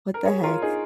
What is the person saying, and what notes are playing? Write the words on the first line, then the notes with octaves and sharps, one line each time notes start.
What the heck?
A#4
G#4 C#5
F4 A#4
D#4 G#4